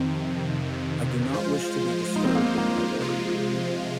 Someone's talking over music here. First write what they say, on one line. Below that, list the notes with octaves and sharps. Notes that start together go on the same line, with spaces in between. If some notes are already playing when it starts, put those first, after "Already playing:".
I do not wish to be disturbed in my work.
Already playing: F2 C3 D#3 C4
F3 G#3 F4 C5
D#4
C4
A#3
C4
A#3
C3 F3 G#3 F4